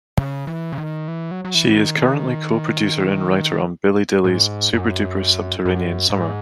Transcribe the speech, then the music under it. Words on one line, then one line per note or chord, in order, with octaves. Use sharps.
She is currently co-producer and writer on "Billy Dilley's Super-Duper Subterranean Summer".
C#3
E3
C#3
D#3
E3
F#3
F#3
E3
D#3
A2
G#2
F#2
F#2
G#2